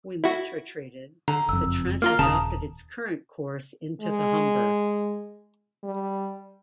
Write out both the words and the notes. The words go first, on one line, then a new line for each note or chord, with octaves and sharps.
When this retreated, the Trent adopted its current course into the Humber.
E4 F#4
D3 A#5
F#1 F2 E6
A#3 F4 A#5 F6 G7
D#1 C#3 A5 A#5 D#6
G#3
G3